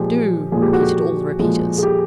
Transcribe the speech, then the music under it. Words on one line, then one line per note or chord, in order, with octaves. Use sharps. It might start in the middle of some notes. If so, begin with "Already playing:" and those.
"Doo!" repeated all the repeaters.
Already playing: A#2 F3 G#3 G4
A#2 F3 G#3 G#4
G4
F#4
G4
A#2 F3 G#3
G#4
G4